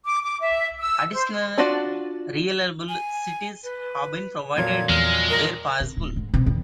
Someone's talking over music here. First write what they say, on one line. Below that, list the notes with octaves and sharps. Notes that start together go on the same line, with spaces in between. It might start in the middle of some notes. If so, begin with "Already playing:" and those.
Additional reliable cites have been provided where possible.
D6
D6
E5
E6
C5
D4 F4 F#4 D5
G#5
B4
F2 A#2 F#3 G#6
E2 G#3 F6
A#4
C3
D1
G#2
C3
E2